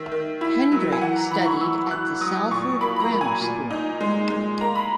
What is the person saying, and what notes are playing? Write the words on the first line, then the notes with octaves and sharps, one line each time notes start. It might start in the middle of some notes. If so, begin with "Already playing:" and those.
Hendrick studied at the Salford Grammar School.
Already playing: D#3 E5
D#3
E4
F#3
G#5
E3 F#5
A#5
E3 B5
C#6
E3 E6
E3 F#6
F#3 D#6
A#2 C#6
A#3 B5
B5
A#5
A#3
G#5
A#2
D#4
G#3
G#3
A#3 A#5
B5